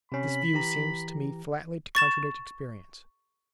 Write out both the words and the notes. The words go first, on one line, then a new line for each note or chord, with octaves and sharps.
This view seems to me flatly to contradict experience.
C3 C#4 B5
E3 G4 A#5
C#6 A6 E7